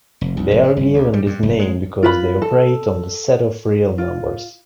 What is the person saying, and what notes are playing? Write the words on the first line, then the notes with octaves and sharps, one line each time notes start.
They are given this name because they operate on the set of real numbers.
F1
C2
F1
G#2
G1
D2
G3
G2
F#1
G#3
F4 B4 B5
A4
F4